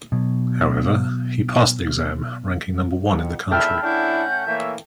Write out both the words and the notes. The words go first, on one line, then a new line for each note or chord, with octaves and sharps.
However, he passed the exam, ranking number one in the country.
B2 F#3
F2 F#5
G#1 E2 A4 E5 G5 B5 F6
A3 C#4 D4 E4 F#5 G6
E3 A3 A#3 C#5 E5